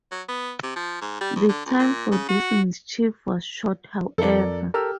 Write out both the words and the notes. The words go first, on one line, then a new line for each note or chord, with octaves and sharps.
The time for this mischief was short, however.
F#3
B3
C3
F3
G#2
G3
E2
D3
C#2
A#2
C#3
F#4
F2 A4 A#4 D5
G4 A4 A#4 E6 F6